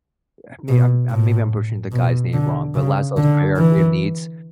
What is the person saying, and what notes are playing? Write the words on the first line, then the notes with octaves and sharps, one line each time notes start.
I mean, I'm I'm maybe I'm pushing the guy's name wrong, but Laszlo's hierarchy of needs.
B2
A2
B2
D3
C#3
D3
E3